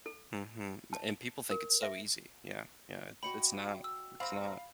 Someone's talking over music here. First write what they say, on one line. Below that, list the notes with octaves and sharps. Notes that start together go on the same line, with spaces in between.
Mhm, and people think it's so easy yeah, yeah, it's it's not, it's not.
A4
A5
A#4
E5
F#4 D#5 G5 B5 C#7
E6
C4 F5 A#5 B5